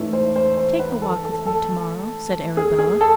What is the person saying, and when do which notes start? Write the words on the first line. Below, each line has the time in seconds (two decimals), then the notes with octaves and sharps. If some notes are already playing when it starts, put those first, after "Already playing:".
"Take a walk with me to-morrow," said Arabella.
Already playing: A1 G#2 E3 A3
0.13 C5
0.36 C5
0.57 C5
0.79 B4
1.02 A4
1.24 A4
1.46 A4
2.57 G#4
2.79 G#4
3.01 A4